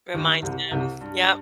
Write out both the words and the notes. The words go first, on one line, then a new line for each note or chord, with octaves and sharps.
Reminds him, yep.
D#2 D#3
C2 C3
C2 C3
G2